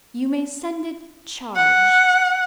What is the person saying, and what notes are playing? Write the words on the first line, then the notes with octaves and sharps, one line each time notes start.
"You may send it, charge."
F#5